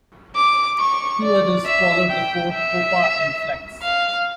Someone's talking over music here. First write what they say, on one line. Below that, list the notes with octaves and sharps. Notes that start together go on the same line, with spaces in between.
Two others followed the four, Poppa and Flex.
D6
C#6
D5
E5
G5
E5
F5